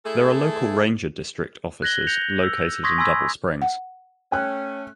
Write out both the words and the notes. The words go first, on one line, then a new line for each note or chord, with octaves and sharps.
There are local ranger district offices located in Double Springs.
A3 E4 G#4 A4
F#6 G#6 A#6 F#7 G7
G6 A#6 C#7 F7
E6
C6 C#6 D#6 G#6 A#6 B6
G#5 B5 C6 E6 G#6 B6
F#5
A3 C#4 G5 F#6